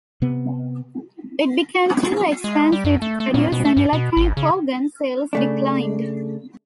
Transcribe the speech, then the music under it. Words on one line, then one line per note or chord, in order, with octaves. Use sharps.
It became too expensive to produce and electronic organ sales declined.
C3 B3
G#3
G3
F#2
A3
A3
A#2
B2
A3
G2
B2
G#1
C#3
C#3 A3 D4